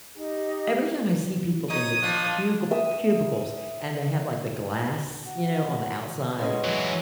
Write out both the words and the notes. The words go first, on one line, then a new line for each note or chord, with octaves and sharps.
every time I see people in the cugil cubicles and they have, like, the glass, you know, on the outside,
D#4 G4
D#4 C#5 D#6
D#3 F3 D4
E5 D#6
F#4
B2 G#3 C#4
E3 F#3